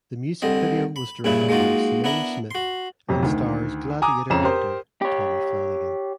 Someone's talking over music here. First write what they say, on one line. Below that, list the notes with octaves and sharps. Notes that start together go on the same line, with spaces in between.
The music video was directed by Simone Smith and stars "Gladiator" actor Tommy Flanagan.
C2 D3 C4 D#5
B5
G2 A#2 C#3 E4 B4
G#3 A#3 D#4 F4 F#4
B3 D4 E4 A#4 E5
F#4 C6
F2 C3 F#3
D2 D#3
G#5 A#5 D6 D#6
F2 C#3 C#4 A#5 E7
G4 A#4 C5
G4 C#5